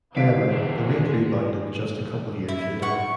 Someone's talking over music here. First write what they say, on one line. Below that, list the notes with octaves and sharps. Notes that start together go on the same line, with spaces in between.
However, the rate rebounded to just a couple years later.
D3 F5 B6 D7
E2 C4 D4
G#3
E4
F#5 C#6